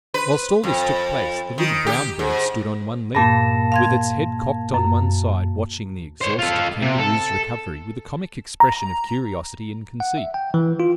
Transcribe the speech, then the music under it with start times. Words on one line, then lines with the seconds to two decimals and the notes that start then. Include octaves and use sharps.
Whilst all this took place, the little brown bird stood on one leg, with its head cocked on one side, watching the exhausted Kangaroo's recovery with a comic expression of curiosity and conceit.
0.14 B4
0.64 F2
1.58 D#3
1.87 G4
2.19 G#2
3.15 G2 A#2 A#3 A5 A#6
3.72 F5 C6 G#6
4.74 F#2
6.21 C5 C#5
6.39 F4 A4
6.82 C3
6.98 A4
8.60 A#5
10.00 F#5
10.17 E5
10.34 G5
10.54 E3
10.80 F4